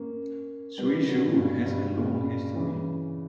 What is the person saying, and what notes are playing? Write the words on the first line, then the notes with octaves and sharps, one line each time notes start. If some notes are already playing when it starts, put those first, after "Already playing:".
Suizhou has a long history.
Already playing: A#3 C#4
G3 B3
D3 F#3
A#2
G2 B2
G2 B2
A#2 C#3
C#3 E3